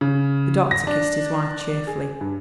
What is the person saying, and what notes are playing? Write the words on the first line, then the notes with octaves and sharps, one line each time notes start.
The doctor kissed his wife cheerfully.
C#3
A#6
D4
G#4
G2